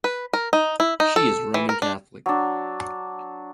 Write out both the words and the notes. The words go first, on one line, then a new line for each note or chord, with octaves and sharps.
She is Roman Catholic.
B4
A#4
D#4
E4
D#4
A4
E3
A#4
D4
F#3 D4